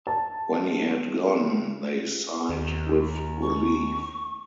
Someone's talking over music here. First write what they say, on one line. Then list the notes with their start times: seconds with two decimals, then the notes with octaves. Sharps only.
When he had gone, they sighed with relief.
0.07 A5
2.49 D#2
3.42 C#6